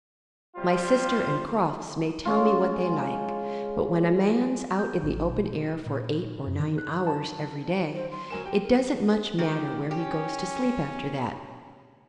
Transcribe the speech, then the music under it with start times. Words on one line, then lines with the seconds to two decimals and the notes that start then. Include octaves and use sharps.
My sister and Crofts may tell me what they like, but when a man's out in the open air for eight or nine hours every day, it doesn't much matter where he goes to sleep after that.
0.56 C3 G3 F4 C5
2.25 G#3 C#4 F4
4.79 G6
5.03 A1
5.30 B2
5.86 A#2
6.47 F#2
6.60 D#3
6.78 F#6
7.07 A5
7.93 C5
8.11 C6
8.30 F#3 A#4 G#5 E7
8.45 G4 G5
8.63 A#4
9.38 D#3 G4
9.91 C#4 G4